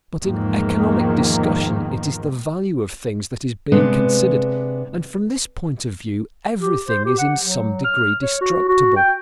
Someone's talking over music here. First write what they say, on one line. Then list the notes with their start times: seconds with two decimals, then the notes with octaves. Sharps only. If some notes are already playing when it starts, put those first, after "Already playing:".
But in economic discussion it is the value of things that is being considered, and from this point of view everything is in some degree destructible.
0.24 E2 G#2 D#3 F3 A#3
3.72 C3 G#3 B3 D4
6.61 G4
6.88 C5
7.05 G4
7.18 F#5
7.43 F#3
7.85 F6
8.22 C#5
8.41 F#4
8.69 F#4
8.97 G5